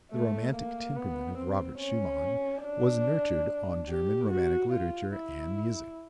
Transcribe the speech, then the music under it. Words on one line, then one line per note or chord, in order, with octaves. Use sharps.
The romantic temperament of Robert Schumann was nurtured on German romantic literature and music.
A3
A#3
B3
C4
C#4
D4
G4
F#4
F4
E4